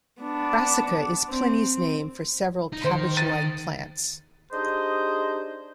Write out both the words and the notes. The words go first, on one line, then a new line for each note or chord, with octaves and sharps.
'Brassica' is Pliny's name for several cabbage-like plants.
B3 D4
C4
D#4
D#3 C5
A6 D#7
D4 D#4 G4 G#4 C5 D#5